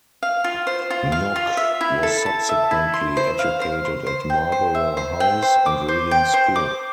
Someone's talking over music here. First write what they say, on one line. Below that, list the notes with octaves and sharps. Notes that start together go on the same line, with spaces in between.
Nock was subsequently educated at Marlborough House, and Reading School.
F5
F4
C5
F4
F5
F4
E5
E4
A4
A5
E5
E4
C6
C5
F5
C5
C6
C5
G5
C5
E5
C5
G5
C5
D6
C5
G5
C5
D6